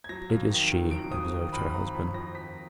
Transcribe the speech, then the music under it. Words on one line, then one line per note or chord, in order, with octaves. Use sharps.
"It is she," observed her husband.
G#6
F#3 A#6
F2
D#3
D#3
F#3 D7
F2 D#6
D#3
F2 B5
F2 A#5
F2 B5
F2 A#6
F2 B6